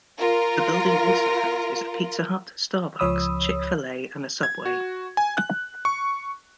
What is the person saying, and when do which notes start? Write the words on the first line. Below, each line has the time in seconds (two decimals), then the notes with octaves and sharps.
The building also houses a Pizza Hut, Starbucks, Chick-fil-A and a Subway.
0.17 F4 A#4
2.99 C#2 F3 C#5 B5 D#6 E6
4.43 G#6
4.65 F#4
5.17 G#5
5.37 F#6
5.85 C#6